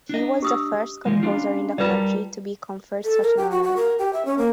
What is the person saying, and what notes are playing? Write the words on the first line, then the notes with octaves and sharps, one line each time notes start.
He was the first composer in the country to be conferred such an honour.
D4 D#5
G4 D#6 E6
E3 F3 G#3
C#4 D4 F4
G3 F4 A#4 B4 D5 A5
A4
A#4
G4
F#4
F#4
A#4
G4
E5
C#4
A#3